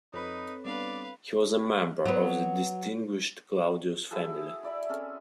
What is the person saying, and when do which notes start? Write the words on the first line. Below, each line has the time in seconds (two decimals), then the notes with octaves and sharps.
He was a member of the distinguished Claudius family.
0.14 F2 C4 D#4 A4 B4 C#5 B5
0.65 G3 B3 D4 B4 D5 F5
2.06 F#3 B3
4.11 E4 F#4 G#4 A4
4.63 E4 D5 E5 B5
4.89 C4 C#4 G#4 A4